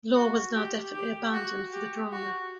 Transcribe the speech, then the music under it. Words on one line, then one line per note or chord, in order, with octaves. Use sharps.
The law was now definitely abandoned for the drama.
F#4
G4
G4
F#4
G4
F#4